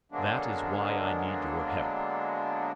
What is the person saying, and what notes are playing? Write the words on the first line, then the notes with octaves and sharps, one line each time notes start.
That is why I need your help.
D3 F#3 G#3 A#3 B3 D4